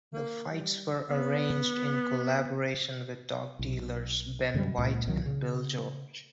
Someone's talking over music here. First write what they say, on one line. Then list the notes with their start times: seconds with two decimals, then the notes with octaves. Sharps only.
The fights were arranged in collaboration with dog dealers Ben White and Bill George.
0.14 A#3
0.50 G3
1.11 B3
3.59 B1
4.54 F#2 D3 F#3 G3
4.78 C#2 A#2
5.07 C2 D#3 F#3
5.26 C#3